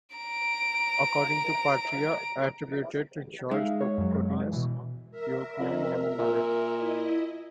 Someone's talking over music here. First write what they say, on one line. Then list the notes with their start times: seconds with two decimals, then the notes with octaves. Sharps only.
According to "Patria", attributed to George Codinus, Euphemia never married.
0.16 A#5 D7
3.51 G#3 D#4 E5 F5
3.81 C#5
3.98 F#2 F#3
4.53 B2 E3
5.11 A#4 E5
5.60 F2
6.19 A#2
6.74 E4 D#5